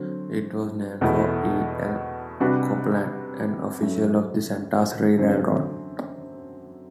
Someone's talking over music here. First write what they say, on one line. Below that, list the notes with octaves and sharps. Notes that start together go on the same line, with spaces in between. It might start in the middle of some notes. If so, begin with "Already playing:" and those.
It was named for E. L. Copeland, an official of the Santa Fe Railroad.
Already playing: D3 F#3 C4
E2 B2 A3 E4
C3 G3 D4 F#4 B4
F#2 F#3 A3
F#2 D3 F#3 C4